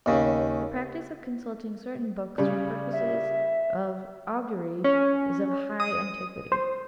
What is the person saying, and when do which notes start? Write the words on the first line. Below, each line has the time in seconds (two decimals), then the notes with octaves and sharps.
The practice of consulting certain books for purposes of augury is of high antiquity.
0.06 D#2 C#3
2.38 C#3 G3
2.93 E5
4.84 C#4
5.80 D#6
6.52 C5